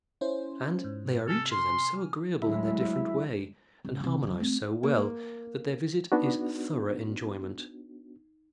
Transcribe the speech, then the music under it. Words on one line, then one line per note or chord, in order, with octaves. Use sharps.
And they are each of them so agreeable in their different way, and harmonise so well, that their visit is thorough enjoyment.
C#4 E4 C5
G#2
C3 A4 G#5 F6
C6
D2 F#3 G#3 E4
C#2
C3 F3
D#3 F#3
A3 C4
A#3
B3 D4 D#4 F#4